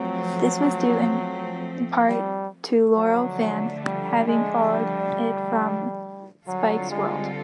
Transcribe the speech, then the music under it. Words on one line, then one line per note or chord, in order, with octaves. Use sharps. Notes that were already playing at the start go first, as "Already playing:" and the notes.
This was due in part to loyal fans having followed it from Spike's World.
Already playing: F3 F#3 A3 C4
G3
D3 F3 F#3 A3 D4
G3
G#3
G3
D3 F#3 G3 C4 F4 A4
G#3